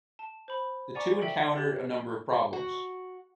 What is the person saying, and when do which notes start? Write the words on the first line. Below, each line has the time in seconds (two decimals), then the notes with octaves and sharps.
The two encountered a number of problems.
0.19 A5
0.48 C5 B5
0.95 D5 F#5 G#5 A#5 C#6 D6
1.22 A4 E5 G5
1.56 G4 A4
2.53 F#4